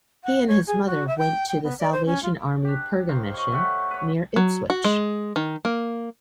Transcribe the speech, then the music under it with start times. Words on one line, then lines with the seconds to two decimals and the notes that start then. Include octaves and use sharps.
He and his mother then went to the Salvation Army Purga Mission near Ipswich.
0.24 F#5
0.47 C#5
0.67 G#4
0.86 F#4
1.07 E5
1.18 G5
1.48 G5
1.63 B3
1.79 D5
1.92 C5
2.06 C#4
2.22 F4
2.65 D4 G4
3.08 D#3 C5 F5
3.34 C#5 D#5
3.52 A3 G4 F#5
3.91 B4 C#5
4.36 F#3
4.70 F#4
4.84 G#3
5.36 D#3
5.65 A#3